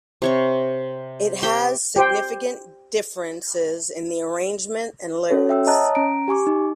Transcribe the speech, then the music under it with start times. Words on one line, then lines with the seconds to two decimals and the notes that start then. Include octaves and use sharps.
It has significant differences in the arrangement and lyrics.
0.22 C3 C#5 C#6
1.43 G4 C5 G5
1.96 G4 C5 G5
5.30 C#4 F#4 A4 C#5
5.49 E5 G5 E6
5.67 C#5 D#5 A5 A#5 D#6 F#6
5.95 C#4 A#5 D7
6.28 G4 G#5 C#6 D6
6.47 D#4